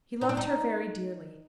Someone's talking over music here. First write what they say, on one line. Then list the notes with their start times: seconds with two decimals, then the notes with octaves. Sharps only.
He loved her very dearly.
0.21 D#4
0.29 D4
0.37 D#4